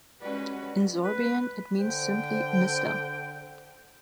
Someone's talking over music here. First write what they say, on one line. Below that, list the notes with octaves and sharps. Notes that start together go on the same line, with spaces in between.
In Sorbian it means simply "Mister".
G3 G#3 C#4 F#4 B4 D5
B4
D3 C5 G5